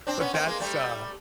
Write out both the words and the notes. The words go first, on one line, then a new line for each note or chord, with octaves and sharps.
but that's, uh
C4 D4
B3 C#4
A#3 C4
G#3 A#3
G3 A3